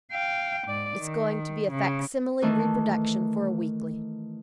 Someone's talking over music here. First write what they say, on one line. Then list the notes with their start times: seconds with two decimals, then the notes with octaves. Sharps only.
It's going to be a facsimile reproduction for a weekly.
0.12 F5 G5
0.67 G#2 D5
0.98 D#3
1.71 C#3
2.42 D#3 E3 A3